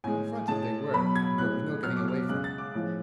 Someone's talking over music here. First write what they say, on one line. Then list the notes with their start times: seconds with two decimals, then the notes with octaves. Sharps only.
Confronted they were, and there was no getting away from it.
0.04 A2 G#3 G#5
0.48 A2 G#3 A5
0.93 B2 F#3 B5
1.15 G#6
1.38 A2 G#3 F#6
1.83 B2 F#3 F6
1.96 D6
2.08 F6
2.29 C#3 G#3 F#6
2.44 A6
2.58 D6
2.74 A2 F3 G#3